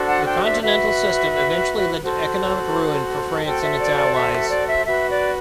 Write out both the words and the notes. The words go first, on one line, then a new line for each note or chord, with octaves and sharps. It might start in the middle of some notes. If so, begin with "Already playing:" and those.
The Continental System eventually led to economic ruin for France and its allies.
Already playing: D4 F#4 A4 C5
F#5
G5
E5
F#4 B4 E5
F#4 A4 C5
F#4 A4 C5 G5
E5
D5
D5
E5
E5
D5
E5
F#4 B4 E5
D5